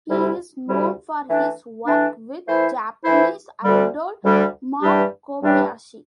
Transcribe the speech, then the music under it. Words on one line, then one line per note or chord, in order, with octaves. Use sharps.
He is known for his work with Japanese idol Mao Kobayashi.
D2 C3 G3 E4
D2 C3 G3 E4
E3 A3 D4
E3 A3 D4
E3 A3 E4 C5
E3 A3 E4 C5
D2 D3 G3
D2 D3 G3
G2 E3 G3 D4 G4
G2 E3 G3 D4 G4